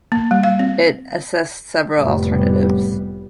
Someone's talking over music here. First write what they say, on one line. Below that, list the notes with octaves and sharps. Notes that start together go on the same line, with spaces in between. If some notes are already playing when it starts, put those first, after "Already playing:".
It assessed several alternatives.
A#3
G3
F5
C4
F1 A2 G3 B3